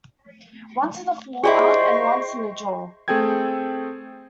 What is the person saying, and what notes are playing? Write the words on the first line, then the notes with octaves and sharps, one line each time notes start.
Once in the forearm and once in the jaw.
E4 F4 G4 G#4 C5 D5 D#5 C#6
A3 C4 G#4 A4 G5 G#6